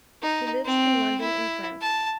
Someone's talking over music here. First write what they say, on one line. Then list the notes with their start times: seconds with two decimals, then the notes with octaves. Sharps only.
He lives in London and France.
0.22 D#4
0.65 C4
1.21 E4
1.81 A5